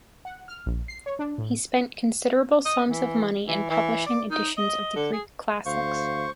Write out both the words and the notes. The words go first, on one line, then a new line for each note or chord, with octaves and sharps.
He spent considerable sums of money in publishing editions of the Greek classics.
F#5
F6
A#1
C7
C#5
D4
A2
D#5
E3
E3
E3
D5
D#4
D#5
D3
G#4
D2 C5 F5 C#6